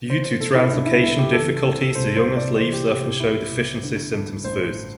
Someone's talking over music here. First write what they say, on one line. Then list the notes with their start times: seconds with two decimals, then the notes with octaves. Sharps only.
Due to translocation difficulties the youngest leaves often show deficiency symptoms first.
0.09 E3 C5
0.25 C5
0.40 C3 A4
0.55 E4
0.71 C2 D4
0.86 E4
1.02 C2 E4
1.19 G4
1.33 E3 A4
1.64 C3
1.95 C2 C5
2.17 C5
2.27 C2
2.37 D5
2.58 E3 C5
2.73 G4
2.89 C3 G4
3.04 G4
3.20 C2 E4
3.51 C2
3.82 D3
4.13 G2
4.44 A1 C5